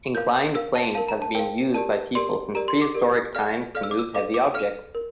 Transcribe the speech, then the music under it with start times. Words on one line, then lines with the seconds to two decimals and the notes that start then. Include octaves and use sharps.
Inclined planes have been used by people since prehistoric times to move heavy objects.
0.15 A#4 F5 G6
0.55 A#4 F5 E6
0.75 A5
0.95 A#4 F5 A5
1.08 A#5
1.22 A5
1.35 A#4 F5 G5
1.74 G4 A#4 D5 A5
2.15 G4 A#4 D5 C6
2.55 G4 A#4 D5 A#5
2.68 C6
2.82 D6
2.94 G4 A#4 D5
3.35 A4 D5 F5 F6
3.75 A4 D5 F5 F6
3.83 E6
3.91 D6
3.99 E6
4.15 A4 D5 F5 D6
4.34 D6
4.54 A4 D5 F5 F6
4.95 A#4